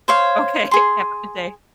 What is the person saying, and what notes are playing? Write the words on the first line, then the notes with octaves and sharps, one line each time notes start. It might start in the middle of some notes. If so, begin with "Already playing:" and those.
Okay. Have a good day.
C5 C#5 F5
G#4 C6